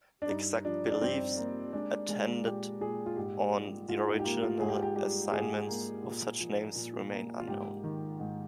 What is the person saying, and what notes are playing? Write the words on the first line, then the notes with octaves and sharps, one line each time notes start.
The exact beliefs attendant on the original assignment of such names remain unknown.
D4
G2 D#4
F3 D4
D4
G2 C4
A#3
G#3 D4
G#3
A#2 G4
A#2 G#4
F4
G#2 G4
G3
G#2 F4
D#4
G4
A#3 F4
F4
G#2 G#4
G4
F4
G4
G3 G4
G#2 G#4
A#3
A#2
F3
A#2
A#3
F4
G#2 G4
D#3
G#2